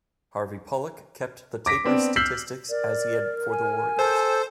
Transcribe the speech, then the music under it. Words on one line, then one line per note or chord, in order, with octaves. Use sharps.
Harvey Pollack kept the Tapers' statistics as he had for the Warriors.
D6 A#6 B6 D7
B3 C4 D4
E6 F6 G6 B6 C7 F#7
A#4 D5
G#5
A4 C5